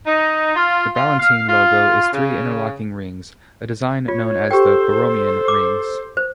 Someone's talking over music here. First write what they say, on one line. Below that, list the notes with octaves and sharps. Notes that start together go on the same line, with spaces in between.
The Ballantine logo is three interlocking rings, a design known as the Borromean rings.
D#4
F4
F4
F5
F4
C#3
F4 C#5
G4 A4 C5 G5
D6
C5